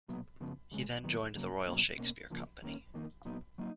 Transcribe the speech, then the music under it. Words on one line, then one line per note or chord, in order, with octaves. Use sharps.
He then joined the Royal Shakespeare Company.
B1 A#2 F#3 B3
F#2 C#3 F3 B3
D#2 C#3 G#3
F#2 D#3 F#3 B3
F2 C#3 F#3 A#3
B2 F#3 A#3 C#4
B2 A#3 C#4
C#2 C#3 F3 A#3
D#2 D#3 A#3 C#4
F2 D#3 A#3 D#4
A#2 F#3 B3 D#4
F#3 A#3 D#4